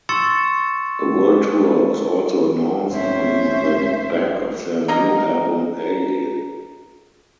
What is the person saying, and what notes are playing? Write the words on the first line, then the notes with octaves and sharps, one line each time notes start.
A world tour was also announced on the back of their new album "Alien".
C6 C#6 E6 A6 C#7 E7
F1 C#4 C5 E5
A#3 D#4 A#4